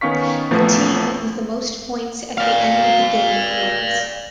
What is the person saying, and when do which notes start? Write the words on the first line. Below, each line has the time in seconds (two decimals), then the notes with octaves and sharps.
The team with the most points at the end of the game wins.
0.01 D#3 B3 C#4 F5 C#6 B6
0.51 E2 A#2 F3 A3 B3
2.38 D5 F5